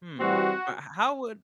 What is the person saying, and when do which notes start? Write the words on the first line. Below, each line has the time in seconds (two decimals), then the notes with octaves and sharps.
Hmm, but h how would
0.19 E3 G3 C4 F#4